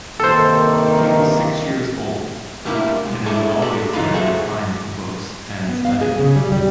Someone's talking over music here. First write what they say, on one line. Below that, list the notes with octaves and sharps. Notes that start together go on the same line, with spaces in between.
He was six years old, and had always been inclined to books and studying.
G2 C3 D#3 A#3 A4 C5
G3 A3 A#3 D4 E4
B1 G#3
D4 E4 G#4 A4
A4 D5 A#5
F#2 C#3 E3 D#4 F4 B5
F#4 G#4 A4 C5 E5
B3
F5
G#4
C#3
G3
G3